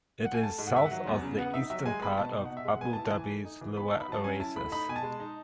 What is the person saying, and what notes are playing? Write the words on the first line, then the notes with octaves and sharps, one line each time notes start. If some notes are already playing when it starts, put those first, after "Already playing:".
It is south of the eastern part of Abu Dhabi's Liwa Oasis.
F#5
G#5
A3 A5
G#2
F#5
D#3 E5
F#5
F#3
E2
C#3
B3 F#5
D#4 E5
F#3 E5
G#3 G#5
B3 B5
B2 A5
D#4
F#5
B2
E5
G#3 F#5
B3 G#5
A5
E4
A5
E3 G#5
A3
D#4
E3
B3 B5
A5
D#4
B5
F#3 A5
C#4 G#5
E4 A5
A3 B5
D#4 B5
B2 G#5
A5
G#3
D#4